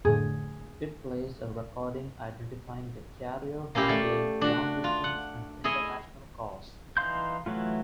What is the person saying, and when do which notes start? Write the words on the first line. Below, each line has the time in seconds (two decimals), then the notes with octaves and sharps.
It plays a recording identifying the carrier handling long distance and international calls.
0.05 F2 A2 D3 G#4
3.75 A#3 C#4 E4 G4 A#4 F5
3.88 A3 D5
4.41 D4 F#4
4.84 F4
5.04 F#5
5.64 E4 G#4 C#5 D#5
6.97 E3 D#4 F5 C6 G6
7.46 E3 F#3 A3 F4